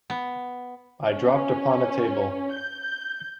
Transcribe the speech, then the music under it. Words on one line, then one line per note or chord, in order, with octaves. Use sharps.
I dropped upon a table.
B3
C#4
G6